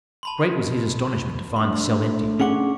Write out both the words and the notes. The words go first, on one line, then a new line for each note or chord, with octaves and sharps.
Great was his astonishment to find the cell empty!
A5 B5 C6
A3 D4 C6
C#4 G#4 F#5 C#6 D6